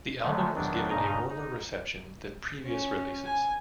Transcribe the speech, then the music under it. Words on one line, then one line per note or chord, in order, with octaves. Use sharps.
The album was given a warmer reception than previous releases.
D3 D#3 F3 F#3 G#3 A3
E2 D#3 F#3 D4
G2 A#2 C#3 D#4 D#5 A#5
D#4
C#4
G#5